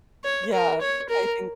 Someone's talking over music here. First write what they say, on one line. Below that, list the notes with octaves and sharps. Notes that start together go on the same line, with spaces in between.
yeah, I think
C#5
A#4
C#5
A#4